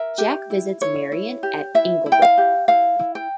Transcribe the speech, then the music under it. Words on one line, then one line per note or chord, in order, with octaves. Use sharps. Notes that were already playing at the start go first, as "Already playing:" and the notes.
Jack visits Marian at Inglebrook.
Already playing: A#4 E5
G4
E4
E4 C#5
E4
G4
E4 E5
E4
G5
F5
G4
E4 F5
E4
G5